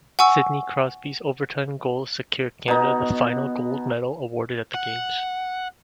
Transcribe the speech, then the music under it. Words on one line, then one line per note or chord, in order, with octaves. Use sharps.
Sidney Crosby's overtime goal secured Canada the final gold medal awarded at the Games.
F#5 G#5 C#6 E6
B2 D#4
F#5